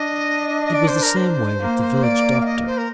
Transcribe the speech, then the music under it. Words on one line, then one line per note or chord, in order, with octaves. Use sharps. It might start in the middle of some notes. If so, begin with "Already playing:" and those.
It was the same way with the village doctor.
Already playing: D4 D#5
D5
C5
A#4
C5
A#3
D5
F5
D#5
C5
A#4